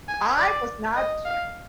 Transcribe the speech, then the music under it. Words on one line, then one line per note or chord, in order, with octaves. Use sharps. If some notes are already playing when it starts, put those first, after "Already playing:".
I was not stru
G#5
D5
D#5
F5